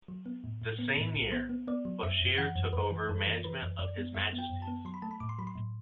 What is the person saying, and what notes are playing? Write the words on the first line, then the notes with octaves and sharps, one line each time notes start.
The same year, Bourchier took over management of His Majesty's.
F#3
B3
A2
A2
B3
A2
B1
B3 C5
B3
B3 D5
F#3
F#2 E5
F#2
E3 F#5
F#2
F#2 B4
E3
F#2 A4
E3
E3 B4
F#2
F#2 D5
B3
F#2 E5
B3
G5
F#2
A5
B3
F#3 C6
B5
A3 A5
B5
A2 D6
C6
F#3 B5
C6
A2